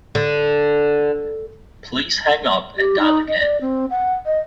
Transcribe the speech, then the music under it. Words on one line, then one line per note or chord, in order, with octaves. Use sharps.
Please hang up and dial again.
D3
G4
D#4
D#5
D5
C4
F#5
D#5